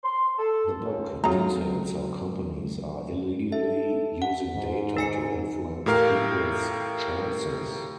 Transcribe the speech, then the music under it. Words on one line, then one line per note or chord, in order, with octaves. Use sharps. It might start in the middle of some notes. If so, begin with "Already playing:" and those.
The book details how companies are illegally using data to influence people’s choices.
C6
A4
C#2
F#3 A3 C4 F4 G#4 A#5
A4 E5
F#5
G#2
D#4 G#5 C#7
A2 G4 A#4 F5